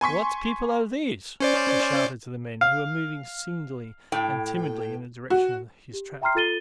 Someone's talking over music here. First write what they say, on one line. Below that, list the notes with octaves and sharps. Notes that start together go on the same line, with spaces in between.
"What people are these?" he shouted to the men, who were moving singly and timidly in the direction of his trap.
G#5 C6 C#6 B6
C#4 C5 D5
F5
A2 G5
F#4
G4
E5 G5 A#5 C6 F6 C7
F4 A4 A6 D#7 G7